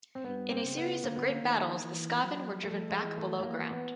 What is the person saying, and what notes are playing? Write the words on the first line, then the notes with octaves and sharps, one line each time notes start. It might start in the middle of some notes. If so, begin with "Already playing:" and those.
In a series of great battles the Skaven were driven back below ground.
C4
G2 B3
C4
C#3
B3
D3 A#3
B3
A#3
D#3
E3
F#3
F3 A3
G#3
E3
A3
A3
E3 A#3
B3